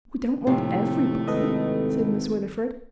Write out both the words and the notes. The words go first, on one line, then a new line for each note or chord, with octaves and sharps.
"We don't want everybody," said Miss Winifred.
F1 D#2 A2 C3 A3
G#1 A4 B4 D#5